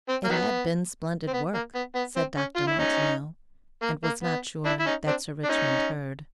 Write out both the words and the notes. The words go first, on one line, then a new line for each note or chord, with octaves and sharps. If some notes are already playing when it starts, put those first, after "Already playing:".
"It had been splendid work," said Dr. Martineau, and was not sure that Sir Richmond heard.
C4
A#3
D#3 F#3 B3
C4
B3
A#3
B3
B3
C4
C#4
F4
E4
C#4 D#4
A#3
A#3
B3
D4 E4
E4
C#4 D#4
C4 D4
D4
C#4 D#4